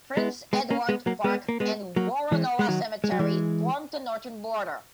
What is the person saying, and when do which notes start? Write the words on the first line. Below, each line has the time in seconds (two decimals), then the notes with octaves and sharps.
Prince Edward Park and Woronora Cemetery form the northern border.
0.17 G#3 B3
0.53 G#3 B3
0.71 A#3 C#4
0.89 G#3 B3
1.06 F#3 A#3
1.24 G#3 B3
1.49 A#3
1.60 G#3 B3
1.96 F#3 A#3
2.32 E3 G#3
2.59 G#3
2.68 D#3 F#3
3.04 G#3
3.12 F#3
3.19 E3 G#3